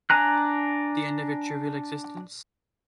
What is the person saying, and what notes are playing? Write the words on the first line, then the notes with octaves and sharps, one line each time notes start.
The end of your trivial existence?
D4 G#5 A#5 F#6